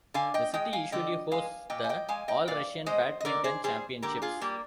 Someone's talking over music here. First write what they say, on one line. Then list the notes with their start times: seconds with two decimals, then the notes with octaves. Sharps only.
The city usually hosts the All-Russian badminton championships.
0.14 D3 F5 G#5
0.34 D#5 G5
0.54 G#3 D#5 G5
0.73 F5 G#5
0.92 D3 D#5 G5
1.31 G#3 F5 G#5
1.70 A#2 D#5 G5
1.84 G#5
1.89 D#5 G5
2.09 G#3 F5 G#5
2.28 D#5 G5
2.47 A#2 D5 F5
2.86 G#3 C5 D#5
3.20 D#5
3.25 D3 A#4 D5
3.44 G#4 C5
3.64 G3 G#4 C5
4.02 D3 G4 A#4
4.22 F4 G#4
4.41 G3 A#3